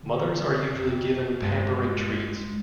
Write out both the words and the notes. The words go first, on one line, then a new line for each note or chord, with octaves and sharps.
Mothers are usually given pampering treats.
D3
F2
G2 G#3